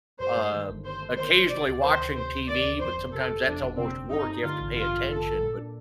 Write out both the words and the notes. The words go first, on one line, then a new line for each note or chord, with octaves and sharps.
um, occasionally watching TV, but sometimes that's almost work, you have to pay attention, but,
G2 C5
A3
D#3
G1
G2 C5
A3
D#3 C5
G1
C3 D5
D2
D#3 C5
D2
C3 C5
D2
D#3 D5
D2
F2 C5
G1
C3 A4
G1
F2 D4
G1
C3 C4
G1
G2 D#4
A3
D3 F4
A1
G2 F4
A3
D3 A4
A1
A#2
D4